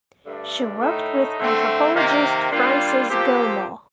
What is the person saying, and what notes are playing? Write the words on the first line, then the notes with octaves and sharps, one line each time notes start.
She worked with anthropologist Frances Gillmor.
G2 D3 A3 D4
A2 A3 D#4
D3 A3 C4
C3 D#3 A#3
A#2 G3 A#3 D4 F4
A#2 F3 C4 G4